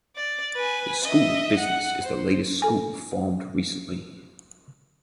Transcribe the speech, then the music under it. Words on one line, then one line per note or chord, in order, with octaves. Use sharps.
The School of Business is the latest school formed recently.
D5
B4 G#5
D#5 E5
F#5
C5
A4 G#5